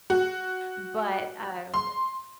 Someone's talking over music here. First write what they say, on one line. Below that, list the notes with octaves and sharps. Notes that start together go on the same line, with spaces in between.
but, um,
F#4
C6